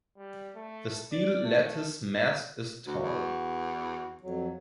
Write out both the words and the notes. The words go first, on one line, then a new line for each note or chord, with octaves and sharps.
The steel lattice mast is tall.
G3
A3
D5
A3
D2 F#4
E2
F2 F#3